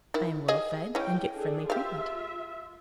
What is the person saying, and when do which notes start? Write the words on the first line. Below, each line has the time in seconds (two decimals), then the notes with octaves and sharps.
I am well fed, and get friendly treatment.
0.14 D#3 E4
0.48 G4 G#4 D#5
0.95 E3 C#4 G5
1.32 D4 G#4 A4
1.70 F4 G4 E5 F5